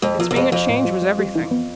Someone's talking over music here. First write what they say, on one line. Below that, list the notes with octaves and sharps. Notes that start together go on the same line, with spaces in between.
Its being a change was everything.
F2 G#3
E2 F3
E2
F2 G#3
F2 F3
A2
F3
G3
G3
E3
B3